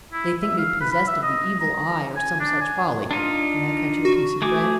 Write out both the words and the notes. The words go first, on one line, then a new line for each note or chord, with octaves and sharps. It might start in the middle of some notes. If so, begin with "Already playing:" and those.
"They think me possessed of the 'Evil Eye' or some such folly--may I cut you a piece of bread?"
E4
E5
F5
B4
B5
E5
D#5
A#5
G#5
D4
G#5
D4 D#4 F4
F#4
A3 G#4 D6